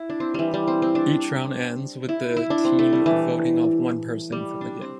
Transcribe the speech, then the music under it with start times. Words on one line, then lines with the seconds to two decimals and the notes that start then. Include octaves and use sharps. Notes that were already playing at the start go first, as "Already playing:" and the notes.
Each round ends with the team voting off one person from the game.
Already playing: E4
0.10 D4
0.20 C4
0.34 E3 G3
0.54 G3
0.68 C4
0.82 C4
0.95 D4
2.09 E4
2.37 E4
2.50 D4
2.65 C4
2.79 A3
2.93 G3
3.06 E3
4.32 G3
4.61 D4
4.82 C4